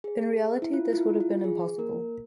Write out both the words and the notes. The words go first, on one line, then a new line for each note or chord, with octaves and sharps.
In reality this would have been impossible.
G#4
E4
F4
F4
E4
F4
G#4
A#3 A#4